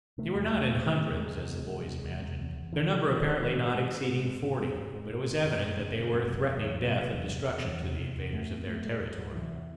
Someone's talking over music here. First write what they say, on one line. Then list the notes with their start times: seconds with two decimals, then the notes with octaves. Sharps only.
They were not in hundreds, as the boys imagined, their number apparently not exceeding forty; but it was evident that they were threatening death and destruction to the invaders of their territory.
0.18 C3 A3
0.35 E2
0.52 E2
0.70 C3
0.86 C3
1.04 E2
1.20 C3 G#3
1.37 E2
1.55 E2
1.72 C3
1.88 C3
2.04 E2
2.22 C3
2.40 E2
2.56 E2
2.73 C3 E3
2.90 C3 E3
3.06 E2 E3
3.23 G#2 D#3
3.40 G#2
3.49 E3
3.57 G#2
3.74 G#2 G#3
3.92 G#2
4.09 G#2
4.25 G#2 C4
4.43 G#2 C4
4.60 G#2 G#3
4.77 G#2
4.94 G#2
5.11 G#2
5.28 C#3
5.45 F#2
5.61 F#2
5.79 C#3 G#3
5.95 C#3
6.13 F#2
6.29 C3 F#3
6.46 E2
6.63 E2
6.81 C3
6.98 C3
7.14 E2
7.32 C3
7.48 E2
7.65 E2
7.82 C3
8.00 C3
8.16 E2
8.33 G#2 A3
8.50 G#2 C4
8.67 G#2 A3
8.84 G#2 G#3
9.02 G#2
9.19 G#2 F#3
9.34 C3 E3
9.52 E2